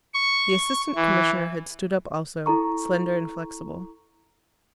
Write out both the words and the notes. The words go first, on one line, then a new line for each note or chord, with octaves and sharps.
The Assistant Commissioner had stood up also, slender and flexible.
C#6
E3
E4 A4 A#5 C#6